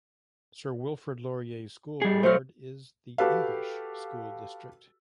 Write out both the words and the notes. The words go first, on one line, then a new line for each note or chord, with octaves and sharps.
Sir Wilfrid Laurier School Board is the English school district.
G3 G#4
F#3 A3 C5 F5
F#4 G4 A4 B4 F5